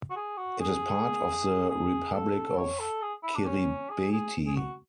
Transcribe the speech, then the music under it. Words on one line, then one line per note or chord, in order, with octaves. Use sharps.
It is part of the Republic of Kiribati.
F#4
G#4
F#4
G#4
G#4
A4
C#5
A4
G#4
E4
D4
C#4
G#4
G#4
G#4
F#4